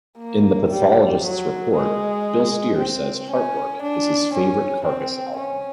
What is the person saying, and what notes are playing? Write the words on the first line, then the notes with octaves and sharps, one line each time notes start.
In "The Pathologist's Report," Bill Steer says "Heartwork" is his favourite Carcass album.
A#3
G3
F#3
G#3
C4
C#4
D4
C#4
C4
C#4